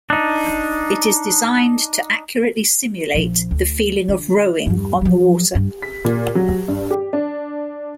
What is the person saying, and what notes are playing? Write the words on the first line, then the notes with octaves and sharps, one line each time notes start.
It is designed to accurately simulate the feeling of rowing on the water.
D4 D#4
A#1 F3
D2
D3
E2 G2
F3 F#3
G2
B6
A#2
F#3
G2
G4
D4